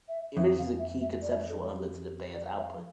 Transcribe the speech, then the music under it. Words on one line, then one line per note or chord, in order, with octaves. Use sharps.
Image is a key conceptual element to the band's output.
E5
F2 E5
F5
E5
E5
D5
E5
D5
A4
G4
G4
D5
E5
F5